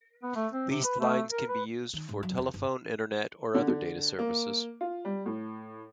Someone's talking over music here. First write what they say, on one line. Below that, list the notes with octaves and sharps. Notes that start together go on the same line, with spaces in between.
Leased lines can be used for telephone, Internet, or other data services.
B3
A3
C4
C3
B4
A3
A#4
B4
D#3
G#2
F#3
E2
G1
D3
D3
A#3
F4
G3
A2